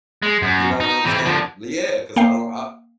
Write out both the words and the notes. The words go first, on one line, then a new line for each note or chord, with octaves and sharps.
You know what I'm saying? L yeah, 'cause I don't I
G#3
F#2
D#4
E3 C4
D3 F3
A#3 F5 G5 C7